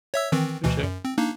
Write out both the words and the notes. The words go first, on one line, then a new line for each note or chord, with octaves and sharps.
For sure.
C#5 E5 E6
D#3 E3 C4
D2 B2 E3
F#2
C4
A#3 D4 D#4